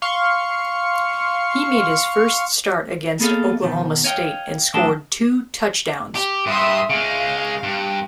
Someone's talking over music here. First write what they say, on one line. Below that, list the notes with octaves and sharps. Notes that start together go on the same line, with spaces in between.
He made his first start against Oklahoma State and scored two touchdowns.
F5 C6 C#6
A#3 B3 G#4 A4 D#5 F5
B2 D#3
C#5 D#5 F5 G5
A2 F#3 D4 D#5 G5 A5
G4
G2 E5 C6 D#6
C#3 G#3 F5
G2